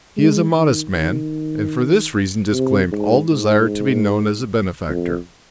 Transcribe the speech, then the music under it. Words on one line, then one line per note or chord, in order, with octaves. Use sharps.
He is a modest man, and for this reason disclaimed all desire to be known as a benefactor.
G#3
D#3
D#3
C3
G#2
G#2
F2